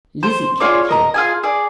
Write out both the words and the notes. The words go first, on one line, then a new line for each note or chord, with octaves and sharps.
"Lizzie Keckley."
C5
F4 G#4 C#5 D5
A#4 D#5 A#5
F4 G#4 G#5
G#4 D5